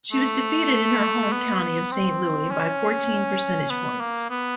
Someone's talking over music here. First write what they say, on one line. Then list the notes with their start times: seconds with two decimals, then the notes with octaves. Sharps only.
She was defeated in her home county of Saint Louis by fourteen percentage points.
0.13 A3
1.32 B3
1.92 C4
2.51 C#4
3.70 B3
4.00 A#3
4.30 B3